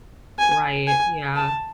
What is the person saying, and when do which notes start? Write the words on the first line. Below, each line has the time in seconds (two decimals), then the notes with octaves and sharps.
Right, yeah.
0.39 G#5
0.88 G#5
1.36 A5